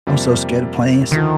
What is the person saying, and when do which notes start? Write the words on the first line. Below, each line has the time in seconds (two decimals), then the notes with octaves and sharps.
I'm so scared of planes.
0.07 F2 C3 G3 A#3
1.11 D2 D3 D#3 F3